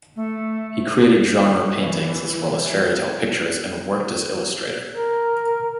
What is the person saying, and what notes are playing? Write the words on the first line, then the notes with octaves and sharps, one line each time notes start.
He created genre paintings as well as fairy tale pictures and worked as illustrator.
A3
E3
A#4